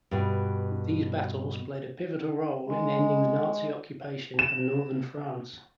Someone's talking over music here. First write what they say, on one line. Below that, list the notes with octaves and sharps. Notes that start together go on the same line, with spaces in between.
These battles played a pivotal role in ending the Nazi occupation of Northern France.
G2 B2
G#3
E7